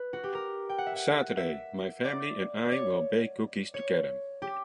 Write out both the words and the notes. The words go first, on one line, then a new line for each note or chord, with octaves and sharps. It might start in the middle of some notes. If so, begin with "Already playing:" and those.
Saturday, my family and I will bake cookies together.
Already playing: B4
F#4
G4
A#4
G5
F#5
E5
F#5
E5
D5
D5
C#5
C#5
G4